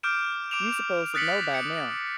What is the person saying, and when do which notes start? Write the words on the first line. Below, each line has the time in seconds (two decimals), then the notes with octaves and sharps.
you supposed to know by now.
0.03 D6 F6 G6 D7 E7
0.51 D6 D7 E7 F7
1.14 D#6 F#6 A6 B6 C#7 F#7
1.54 C#7